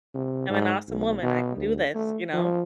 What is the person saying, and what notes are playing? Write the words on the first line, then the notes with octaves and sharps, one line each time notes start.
am an awesome woman, I can do this," you know?
C3
G#2
B1
B2
D2
A3
F3